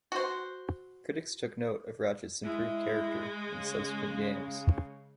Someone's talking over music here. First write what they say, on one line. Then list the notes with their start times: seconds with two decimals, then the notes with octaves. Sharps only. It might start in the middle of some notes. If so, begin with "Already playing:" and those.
Critics took note of Ratchet's improved character in subsequent games.
0.12 F#4 C5
2.44 G#3 E4
3.48 C#3